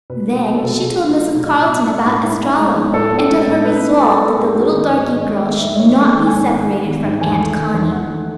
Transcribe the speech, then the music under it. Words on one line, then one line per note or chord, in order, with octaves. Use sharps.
Then she told Mrs. Carleton about Estralla, and of her resolve that the little darky girl should not be separated from Aunt Connie.
B2 B4
A3
B4
F#3
A4
B2
B2 G#4
A3
F#3
B2
A2
B3
G#3
A2
A2
B3
G#3
A2
A2 A4
B3
A4
G#3
A4
A2
A2 B4
B3
G#3 A4
A2
B3 G#4
G#3 F#4
G#4
D#3
B4
G#2
B3 D#5
G#3
D#5
D#3
E5
G#2
D#5
B3 C#5
G#3
A4
D#3
G#5
G#2
B3
G#3
D#3
G#2
E2 G#5
A3
D#3
E2
E2 F#5
A3